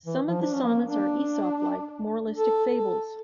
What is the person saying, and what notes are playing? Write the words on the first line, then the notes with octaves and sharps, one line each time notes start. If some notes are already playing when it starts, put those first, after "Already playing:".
Some of the sonnets are Aesop-like moralistic fables.
E3
F3
D4
C#4
A#3
D4
A4
A4